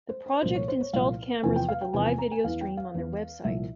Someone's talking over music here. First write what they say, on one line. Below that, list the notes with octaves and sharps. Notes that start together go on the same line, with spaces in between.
The project installed cameras with a live video stream on their website.
C5
C5
C2 A#2 F3 C5
C#5
C5
C#5
C2 A#2 F3 F5
E2 C3 F3 G#5
G5
F5
G5
E2 C3 F3 G#5
G#5
A#5
G#5
E2 E3 F5
G5
F5
E2 E3
C2 A#2 F3 E5